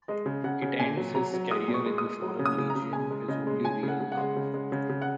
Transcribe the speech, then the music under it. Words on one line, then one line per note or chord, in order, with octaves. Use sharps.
It ends his career in the Foreign Legion, his only real love.
G#3 D#5
C#3
C#3 F#5
C#3
A#2 G#5
F#3
F#3 A#5
F#3
G#3 D#6
A#2
C#6
G#3
D#6
G#3
F#3
C#3
D#6
C#3
A#5
C#3
G#3 G#5
G#3
C#3 D#5
G#3
C#3 G#5
C#3
F#5
C#3
F#5
G#3
C#3
G#3
C#3
C#3
F#5